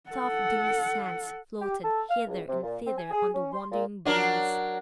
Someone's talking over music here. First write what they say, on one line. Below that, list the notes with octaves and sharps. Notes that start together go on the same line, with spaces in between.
Soft dewy scents floated hither and thither on the wandering breeze.
A4 F#5
G4
A4
F5
C#2
C3
A#2
C4
G#5
G#4
C#4
C6
A#2
F#3 D4 A#4